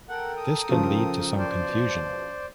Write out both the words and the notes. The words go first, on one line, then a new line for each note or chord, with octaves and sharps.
This can lead to some confusion.
A4 A#4 F#5 G5
D#6
C#3 F3
C5 D5
B2